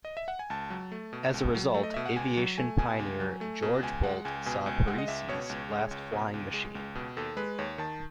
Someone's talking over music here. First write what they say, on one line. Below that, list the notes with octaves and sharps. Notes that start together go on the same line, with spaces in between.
As a result, aviation pioneer George Bolt saw Pearse's last flying machine.
D#5
E5
F#5
G#5
C#2 A5
F#3
A3
B2
C#2
F#3
A3
D#5
B2 E5
F#5
C#2 G#5
F#3
A3 G#5
B2 G#5
C#2
F#3
A3
B2
C#2 G#5
G#3 F#5
C#2 G#5
B2 G#5
C#2 G#5
G#3 F#5
D#5
C#2 E5
B2 C#5
C#2
G#3
C#2
B2
C#2
G#3
C#2
B2
D#2 A4
G#3 B4
D#2 C#5
D#3 A5